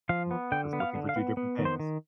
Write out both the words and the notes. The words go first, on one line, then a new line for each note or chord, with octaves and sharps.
we're just looking for two different things.
F3 F5
B3
D3 G5
B3
F5
D3
F5
B3
B3
D#3
C5
D#3